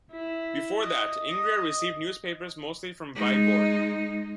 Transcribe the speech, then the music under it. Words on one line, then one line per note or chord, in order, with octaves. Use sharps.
Before that Ingria received newspapers mostly from Viborg.
E4
D#5
D#5
G#3 D#4